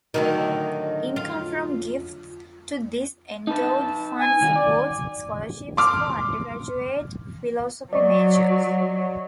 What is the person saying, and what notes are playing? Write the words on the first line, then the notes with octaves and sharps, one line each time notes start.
Income from gifts to this endowed fund supports scholarships for undergraduate philosophy majors.
A2 D3 D#3 F#3
F4
D#4 B4 A5
G#5
C2 D#3 F#4
D5
C6 D6 F6
F#3 D5 D#5 C#6